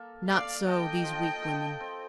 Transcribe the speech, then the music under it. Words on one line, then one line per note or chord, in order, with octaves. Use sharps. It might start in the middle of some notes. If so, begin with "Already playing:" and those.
Not so these weak women.
Already playing: A#3 A4
A#3 D5 F5
A4 D#5 G5
F3
A4
C4